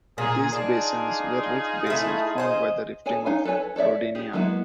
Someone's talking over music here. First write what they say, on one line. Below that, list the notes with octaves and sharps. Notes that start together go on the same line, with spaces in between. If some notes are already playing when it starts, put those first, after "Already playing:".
These basins were rift basins formed by the rifting of Rodinia.
A#2 G#4
D4 D#4 F4 G#4
A3 E4
C5 D#5
G#4 A4 C#5 G#5
D#4 C#5 F5 G#5
A4 B4 C#5 G#5
A4 C#5 D5 E5
G4 G#4
F#3 G#3 A#3 B3 E4